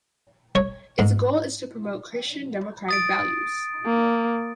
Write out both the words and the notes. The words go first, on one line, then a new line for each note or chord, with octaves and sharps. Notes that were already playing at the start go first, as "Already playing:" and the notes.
Its goal is to promote Christian democratic values.
C#5
G#2
D#6 A6 D7
A#3